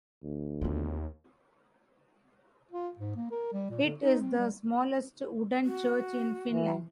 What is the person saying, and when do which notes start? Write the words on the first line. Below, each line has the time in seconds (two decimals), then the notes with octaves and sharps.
It is the smallest wooden church in Finland.
0.23 D2
0.61 D#2 B3 F4
2.71 F4
2.99 G#2
3.16 A#3
3.31 A#4
3.53 G3
3.70 A#2
3.84 D3
3.99 D#4
4.20 C4
4.38 G3
5.65 F#4
6.51 E3